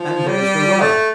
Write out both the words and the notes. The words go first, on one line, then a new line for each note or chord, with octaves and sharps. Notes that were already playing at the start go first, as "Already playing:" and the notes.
And there's the rub.
Already playing: F3
G3
A3